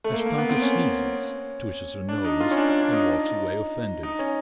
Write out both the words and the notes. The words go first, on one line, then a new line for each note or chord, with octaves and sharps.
Kashtanka sneezes, twitches her nose, and walks away offended.
A3
A#3
A#3
B3
C4
C#4
D4
D#4
F4
C#4
D4
D4
D4
D#4
D#4
C#4